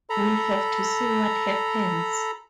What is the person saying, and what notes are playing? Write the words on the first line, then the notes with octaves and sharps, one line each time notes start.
We’ll have to see what happens.
A4 A#5 B5